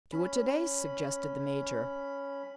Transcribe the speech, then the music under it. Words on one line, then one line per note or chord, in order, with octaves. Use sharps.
"Do it to-day," suggested the Major.
C#4 B5